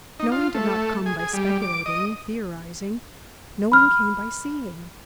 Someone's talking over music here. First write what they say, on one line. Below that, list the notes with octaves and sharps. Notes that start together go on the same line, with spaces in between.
Knowing did not come by speculating, theorising. Knowing came by seeing.
D#4
F4
A3
G#4
G#4
G3
D6
D#5
B5 F6